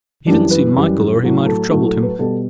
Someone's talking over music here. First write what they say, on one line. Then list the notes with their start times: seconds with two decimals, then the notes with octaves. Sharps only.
He didn't see Michael, or he might have troubled him.
0.27 F#2 E3 G3 D4
0.50 B4
0.74 F#2 E3 G3
1.23 A2 F#3 A3
1.46 A4
1.70 A2 F#3 A3
1.86 A4
2.03 B4
2.19 B2 G3 A4